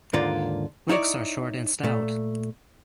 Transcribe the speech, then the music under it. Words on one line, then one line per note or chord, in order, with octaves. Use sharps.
Legs are short and stout.
D#2 G#2 D3 A#3 F4 D5
D#4 E4 C#5 D5
A#2 A3